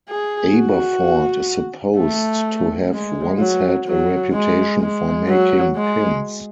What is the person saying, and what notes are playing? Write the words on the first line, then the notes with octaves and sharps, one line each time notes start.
Aberford is supposed to have once had a reputation for making pins.
G#4
F#4
A3
G#3
F#3
F#3
G#3
G#3
F#3
G#3